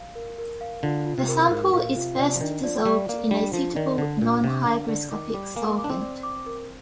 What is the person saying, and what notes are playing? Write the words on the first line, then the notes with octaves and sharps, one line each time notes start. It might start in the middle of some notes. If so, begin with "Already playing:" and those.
The sample is first dissolved in a suitable, non hygroscopic solvent.
Already playing: F5
A#4
A#4
F5
D3 F4
F4
C3
A#4
G#2 A#4
A#2 F5
C3 F4
C3 D5
F3
D#3 D4
F3 D5
G3 D5
A#3 D5
G3 D4
F3 D4
D#3 D5
D3 D5
A#2 D4
C3 D4
D3 D4
D3 D5
D#3 D6
G3 D6
A#3 G#5
D6
D4
C4
D5
D6
A#4